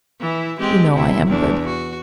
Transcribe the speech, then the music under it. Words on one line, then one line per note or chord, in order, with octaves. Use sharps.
You know I am good.
E3 E4
G#3 C4 G4
C3 E4
E2 D4
F#4